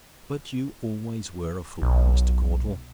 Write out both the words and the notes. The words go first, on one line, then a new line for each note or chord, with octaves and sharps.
But you always were a fool, Mr. Caudle!
B1